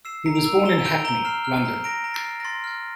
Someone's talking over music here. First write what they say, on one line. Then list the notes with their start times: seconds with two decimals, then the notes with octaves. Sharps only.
He was born in Hackney, London.
0.05 E6 C7 E7
0.26 A#5
0.35 D7 F7
0.45 E6
0.65 A#5 E7 G7
0.79 E7
0.84 G6 D7 F7
1.05 A#5 E7 G7
1.25 F6 C7 E7
1.45 F6
1.65 A#5
1.84 A#5 A#6 D7
2.04 A#5
2.14 A6 C7
2.24 F6
2.40 A#6
2.44 C6 A6
2.64 F6